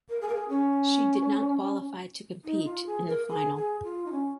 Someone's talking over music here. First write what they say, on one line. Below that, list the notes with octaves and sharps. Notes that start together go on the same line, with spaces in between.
She did not qualify to compete in the final.
A#4
G#4
A#4
G#4
C#4
D#4
F4
G#4
A#4
G#4
G#4
F4
D#4
C#4